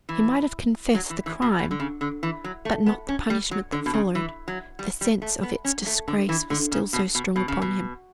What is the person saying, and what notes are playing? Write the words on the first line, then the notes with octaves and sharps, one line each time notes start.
He might have confessed the crime, but not the punishment that followed, the sense of its disgrace was still so strong upon him.
E3
F#3
E3
E3
B2
B2
D3
C#3
D3
E3
F#3
A3
B3
C#4
G3
F#3
D3
B2
C#3
E3
F#3
G3
G3
A3
B3
C#4
A3
D3
E3
D3
C#3
B2
B2
B2
C#3
B2